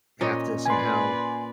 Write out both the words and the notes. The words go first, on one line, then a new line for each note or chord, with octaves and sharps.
have to somehow
A#2 C#4 D#5
B4 D5 G#5 C6